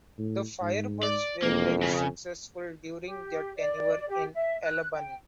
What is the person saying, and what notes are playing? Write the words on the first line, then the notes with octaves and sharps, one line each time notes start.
The Firebirds were very successful during their tenure in Albany.
A2
G#2
D5
E1 F2 A#3
C#3
G4
D5
G4
E5
F#6
G5